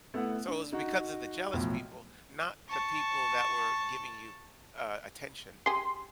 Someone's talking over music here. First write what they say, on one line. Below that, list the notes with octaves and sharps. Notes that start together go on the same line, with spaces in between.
So, it was because of the jealous people, not the people that were giving you, uh, attention?
A3 B3 E4 F#5
D4
D#4 F#4
B1 A2 F3
A5 C#6
G4 G#4 C6